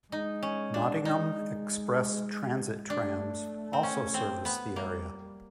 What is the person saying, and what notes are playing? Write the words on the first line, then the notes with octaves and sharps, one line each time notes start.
Nottingham Express Transit trams also service the area.
G#3 D#4
C#4
D4
G#3 D#4
A3 D4
C4
C#4
C4
B3
G3 A#3